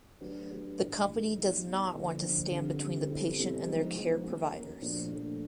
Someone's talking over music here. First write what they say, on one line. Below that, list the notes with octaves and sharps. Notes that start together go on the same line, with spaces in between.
The company does not want to stand between the patient and their care providers.
F#3 A3 D4 G4 B4
F#3 A3 D4 G4 B4
A2 E3 G3
A2 E3 G3
G3 B3 D#4
G3 B3 D#4
D3 F3 A#3 D4 F4
D3 F3 A#3 D4 F4
D3 G3 C4
D3 G3 C4
B2 G3 C4 E4 A4
B2 G3 C4 E4 A4
F3 G#3 B3 D#4
F3 G#3 B3 D#4
A#3 C#4 F#4 A#4
A#3 C#4 F#4 A#4
A#2 F3 A3 D4
A#2 F3 A3 D4